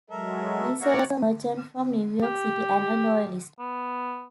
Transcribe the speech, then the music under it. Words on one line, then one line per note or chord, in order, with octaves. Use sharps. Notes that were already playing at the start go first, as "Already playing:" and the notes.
Mesier was a merchant from New York City and a Loyalist.
F#3 G#3 A4 A#4 E5
A#3 F#4 C#5 D5 E5 F#5
G4
B3